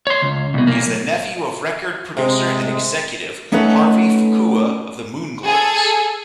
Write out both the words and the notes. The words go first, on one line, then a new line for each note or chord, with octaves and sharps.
He is the nephew of record producer and executive Harvey Fuqua of The Moonglows.
C#5 C6
C#2
C2 B2
B1 A#3
C3 G#3
A3 C#4 D#4 A4 B4 F#5
G#4 A4